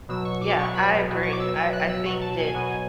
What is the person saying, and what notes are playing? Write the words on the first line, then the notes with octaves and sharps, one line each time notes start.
Yeah, I agree. I I think that,
B2 F#3 E6
C#6
D6
B2 F#3 C#6
B5
B2 F#3
C#6
D6
E6
B2 F#3 E6
F#6
E6
B2 F#3 C#6
A5
G#5
B2 F#3